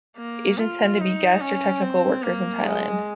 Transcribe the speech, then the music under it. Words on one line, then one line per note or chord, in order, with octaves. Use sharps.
Asians tend to be guest or technical workers in Thailand.
A#3
F4
D#4
C#4
C4
A#3
G#3